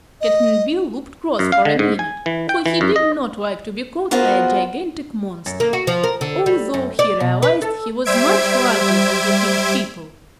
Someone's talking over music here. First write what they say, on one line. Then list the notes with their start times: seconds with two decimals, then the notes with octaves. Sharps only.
Cap'n Bill looked cross for a minute, for he did not like to be called a "gigantic monster," although he realized he was much larger than the pink people.
0.21 D#5
1.39 F#2
1.52 F5
1.65 D3
1.79 G#2
1.99 G#5
2.26 E3
2.49 G5
2.66 E3
2.81 F#2
2.96 D#5
4.11 B3 F4 F#4 G#4 A#4 C5
5.46 F#2
5.60 A#3
5.73 F#4
5.87 F3
6.04 A#4
6.21 D3
6.46 G3
6.74 F#2
6.99 D5
7.20 B2
7.42 B4
7.62 A4
8.05 G3 C5 E5 G#6 D7